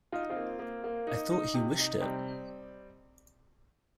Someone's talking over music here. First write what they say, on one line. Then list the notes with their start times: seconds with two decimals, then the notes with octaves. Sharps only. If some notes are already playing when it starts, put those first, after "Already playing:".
I thought he wished it.
0.12 D#4 F4
0.30 C4 F4
0.36 A#3
0.59 A#3
0.84 A#3
1.07 D#4
1.31 D#4
1.54 C3
1.78 D#4
2.01 C3 G3 C4